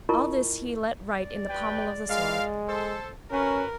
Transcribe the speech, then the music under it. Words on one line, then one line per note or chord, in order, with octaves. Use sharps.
All this he let write in the pommel of the sword.
E4 F4 A#4 D#5 A5 C#6
D5
G4 B4 G5
G#3 F4 A#4 F5
A4 C5
C#4 F#4 A#4 B4